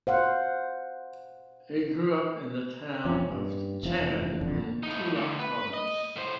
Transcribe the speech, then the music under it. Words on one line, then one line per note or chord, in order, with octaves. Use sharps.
He grew up in the town of Chern in Tula province.
C5 F5 F#5
E1 F2 F3 C#4
G2
F1 E2 E3 F3
E1 F2 D3
A2 D#4
D2
B4
D#5
A2 C5